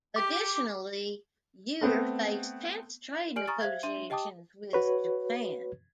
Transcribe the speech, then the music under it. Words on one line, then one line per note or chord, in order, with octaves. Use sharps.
Additionally, Yeutter faced tense trade negotiations with Japan.
G4 D6
A3 B3 C4
G4 D5 G#5 F6 D7 F#7
G#5 A#5 C#6 D#6 F6 A6
C5 E5 F5 G#6
D4 E5 C6 D#7
G4 D#5 G5 A5 D6 D#6
F#4 B4 C#5